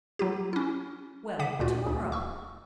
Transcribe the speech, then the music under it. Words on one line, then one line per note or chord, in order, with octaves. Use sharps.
"Well, to-morrow."
F#3 F4 G4
C#4 E4
C#3 F#5 D6 B6 D#7
D2 A#2 F4 F#4
D2
C#6 E6